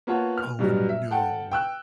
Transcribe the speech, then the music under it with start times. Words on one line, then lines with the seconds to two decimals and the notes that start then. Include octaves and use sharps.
Oh, no.
0.07 A#3 B3 F4 C#5 F#5 A5
0.38 F6
0.59 G2 B2 F#3 G3
0.89 E5
1.10 A4 F#5 G5 A5
1.52 G5 E6 F#6